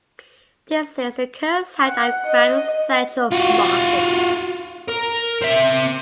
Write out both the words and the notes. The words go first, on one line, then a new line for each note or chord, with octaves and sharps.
This is the current site of Grand Central Market.
F#5
D#5
F4 F#4
A#4
C4 E5